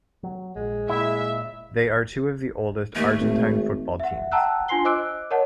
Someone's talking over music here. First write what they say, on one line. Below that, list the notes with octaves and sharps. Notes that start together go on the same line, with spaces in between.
They are two of the oldest Argentine football teams.
F#3
A#1 G#3
A#2 E4 E5
D#2 A3
G#1
E5 F#5
F#5 G5 A5 A#5 E6 F#6
D4 F4 G#5 C6 C7 G7
C5 D#5 D6 E6 F#6 D7
A#4 C#5 D#5 F#5 A5